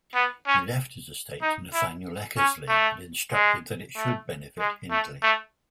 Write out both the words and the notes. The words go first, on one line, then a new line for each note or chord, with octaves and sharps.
He left his estate to Nathaniel Eckersley and instructed that it should benefit Hindley.
B3
C#4
D#4
E4
C#4
A3
G#3
A3
G#3
A3
A3